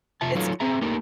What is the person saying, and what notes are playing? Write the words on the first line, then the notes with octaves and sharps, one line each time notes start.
it's g
C3 F4 E5 A5
F#3 D#4 F4 A4 C#5 F5
C4 G#4 E5 A#5
A3 A#3 D4 D#4 G4 A#4